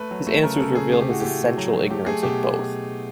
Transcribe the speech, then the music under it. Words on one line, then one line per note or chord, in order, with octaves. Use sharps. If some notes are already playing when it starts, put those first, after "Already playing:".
His answers reveal his essential ignorance of both.
Already playing: A3 B4
F#3
A3
C#3 A#4
C#3 A4
C#3 G#4
A3 G#4
G4
A2 F#4
G4
A3
A2
F#3
F#3
A3 G4
A3 G#4
B2 G4